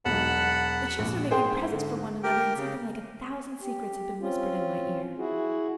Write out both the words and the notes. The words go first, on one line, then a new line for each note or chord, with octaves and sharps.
The chicks are making presents for one another, and something like a thousand secrets have been whispered in my ear.
E1 B1 F#5 A5 B5
A#1
G#2 G#4 C5 G5
D3
G4 A#4 G5
C#3
G4
C4 C#4 F4
E4 F#4 G#4